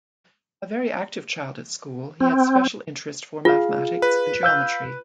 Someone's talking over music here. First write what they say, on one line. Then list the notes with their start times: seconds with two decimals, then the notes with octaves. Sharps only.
A very active child at school, he had special interest for mathematics and geometry.
2.20 C4
3.45 F4 G#4 F5
4.02 B4
4.43 F5 E6 G6